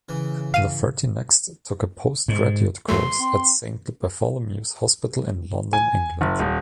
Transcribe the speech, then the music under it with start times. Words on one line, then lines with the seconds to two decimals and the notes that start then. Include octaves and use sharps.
Lafferty next took a post-graduate course at Saint Bartholomew's Hospital in London, England.
0.09 C#3 E3
0.54 F5 D#7
2.28 G#2
2.88 E2 F#3 A3 C6
3.20 C4
5.73 G#5
6.21 F#1
6.39 D#1